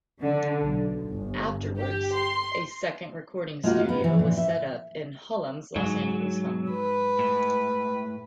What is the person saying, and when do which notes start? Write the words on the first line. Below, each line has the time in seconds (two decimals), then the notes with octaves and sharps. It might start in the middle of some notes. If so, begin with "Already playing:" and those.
Afterwards, a second recording studio was set up in Hullum's Los Angeles home.
0.19 D3
0.62 B1
1.10 G1
1.77 G4
2.15 C6
3.64 G#3 A#3 D#4 F4 F#4 A#4
3.89 B3
4.04 E3
4.19 A#2
4.37 E5
5.76 G#2 F#3
6.71 B4
7.19 A2